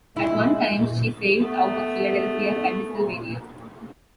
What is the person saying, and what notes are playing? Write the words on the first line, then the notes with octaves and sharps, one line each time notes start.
At one time she sailed out of Philadelphia, Pennsylvania.
G#3 E4
A3 B3